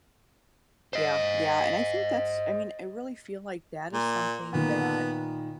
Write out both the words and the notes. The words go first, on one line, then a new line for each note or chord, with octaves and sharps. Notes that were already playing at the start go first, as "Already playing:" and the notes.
Yeah, yeah. And I think that's I mean, I really feel like that is something that
C5 D#5
A#2
A#2 D#3 B3